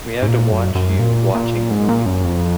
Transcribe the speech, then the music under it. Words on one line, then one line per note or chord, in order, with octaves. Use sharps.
We have to watch "you" watching the movie.
G#2
A#2
F#2
F#2
A#2
A#2
G#2
A#2
F#2
F2